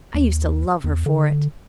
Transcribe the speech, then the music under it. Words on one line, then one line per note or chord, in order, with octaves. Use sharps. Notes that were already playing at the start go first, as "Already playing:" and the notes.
I used to love her for it.
D#2
E2
D3